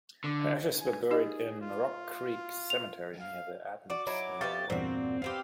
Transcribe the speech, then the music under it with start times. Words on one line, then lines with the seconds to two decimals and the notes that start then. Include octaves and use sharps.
Her ashes were buried in Rock Creek Cemetery near the Adams Memorial.
0.24 D3
0.80 G#5
1.11 D#4 G4 G#4 D#5
1.61 F4
2.70 F7
3.20 F5
3.90 F#4 D5 D6
4.07 F#3 D#4 E4
4.41 B3 F#4 G4 E5 F5 C#6 A6
4.70 E2 G2 A#2 C4 F#4 C5
5.22 B3 C4 G4 F5